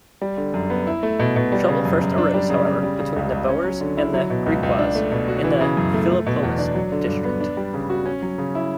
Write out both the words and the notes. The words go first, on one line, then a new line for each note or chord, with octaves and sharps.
Trouble first arose, however, between the Boers and the Griquas in the Philippolis district.
G3
D3
F#2
B3
E4
A3
B2
B2
G3
C#3
F#2
F#2
D4
G3
C#3
C#3
G3
C#3
C#2
C#2
C#4
F#3
D3
E4
F#3
B2
C#2
C#2
D4
A3
B2
F#4
E3
C#3
F#2
A3
A3
B2
E2
D4
F#3
D3
G2
B3
D4
G3
C#3
F#4
C#4
F#3
C#3
E4